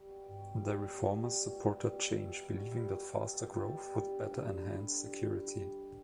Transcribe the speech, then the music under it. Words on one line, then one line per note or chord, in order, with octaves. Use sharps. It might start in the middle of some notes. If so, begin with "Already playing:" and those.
The reformers supported change, believing that faster growth would better enhance security.
Already playing: G3
B2
B2 G5
B2
G3
G3
G3
B2
G3
G3
B2
B2
G3
B2
G3 E5
B2
G3
B2
G3 E4
B2
G3 E4
B2
B2 A4
G3 G4
A4
B2
G3
G2
D3
G2
G2
G2 B4
G2
G3
G2
G2
G3
G2
G2